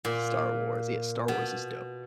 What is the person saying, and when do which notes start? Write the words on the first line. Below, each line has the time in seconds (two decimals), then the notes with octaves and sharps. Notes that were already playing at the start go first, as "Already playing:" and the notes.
Star Wars, yeah Star Wars is dope.
0.05 A#2
1.28 B2